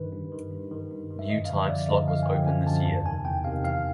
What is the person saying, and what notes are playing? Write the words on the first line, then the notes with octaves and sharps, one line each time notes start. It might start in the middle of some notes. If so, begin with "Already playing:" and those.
New time slot was opened this year.
Already playing: G2 D#3 B4
G2
D#3
G2
D#3
G2
D#3
E5
F#2 D#5
F5
D3 F3 E5
F#2 D5
D3 F3 D#5
F#2 F5
G#5
D3 F3 G5
F#2 G#5
D3 F3 A5
E2 A5
C3 D#3 G#5
E2 G5
C3 D#3 F5
E2 F5